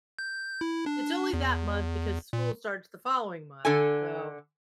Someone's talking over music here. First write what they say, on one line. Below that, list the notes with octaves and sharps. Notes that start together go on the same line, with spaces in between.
it's only that month because school starts the following month, so
G6
E4
D4
E2
A#2
D3 A4 G#5